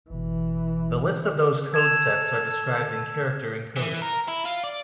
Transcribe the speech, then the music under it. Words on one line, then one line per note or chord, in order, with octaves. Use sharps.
The list of those codesets are described in character encoding.
G1 B2 E3
A4 G#6 E7 F7
E3
A#4
E4
F4
D5